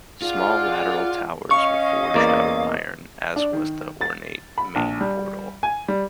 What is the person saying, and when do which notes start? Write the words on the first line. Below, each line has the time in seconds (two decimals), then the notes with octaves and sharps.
Small lateral towers were forged out of iron, as was the ornate main portal.
0.22 F4 G#4 D5 F#5
1.51 C#4 D#5 F5 C#6
2.14 E2 A#3 D5
3.36 D4
3.53 D#3
4.01 A6
4.58 B5
4.76 A#1
5.01 G3
5.63 G#5
5.88 G3